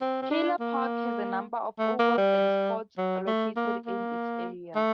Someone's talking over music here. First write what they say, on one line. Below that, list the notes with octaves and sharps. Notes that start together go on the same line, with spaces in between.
Keilor Park has a number of ovals and sports located in its area.
C4
C4
D4
A#3
A3
A#3
G3
F#3
A3
A#3
A#3
A3